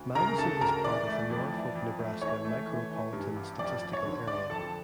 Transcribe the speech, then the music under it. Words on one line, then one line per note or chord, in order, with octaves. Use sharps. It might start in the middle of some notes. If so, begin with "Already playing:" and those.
Madison is part of the Norfolk, Nebraska Micropolitan Statistical Area.
Already playing: D2
C#3 A#4 A#5
C#3 A4 A5
D2 A#4 A#5
E3 D5
A3
F2
E3
F2
A3
E3 C#5
A3
E3
E3
G2
A1
F2 D5
F2
C#5
D3
D3 D5
F2 A4 A5